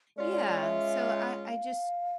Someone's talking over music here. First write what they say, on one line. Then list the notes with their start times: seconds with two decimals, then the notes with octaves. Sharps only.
Yeah. So, I I just
0.17 G#3 C#4 F4 D5
0.32 D5
0.47 D5
0.61 E5
1.48 F5